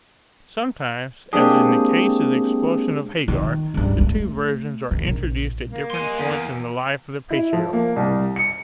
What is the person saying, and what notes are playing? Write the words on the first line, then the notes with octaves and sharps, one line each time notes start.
Sometimes, as in the case of the expulsion of Hagar, the two versions are introduced at different points in the life of the patriarch.
G#3 A#3 C4 D4 G4 G#4
D#3
C#2 G2
A3
D#3
A#1
A#3
G#5 C6
E2
E4
F3
A#3
C2
C#7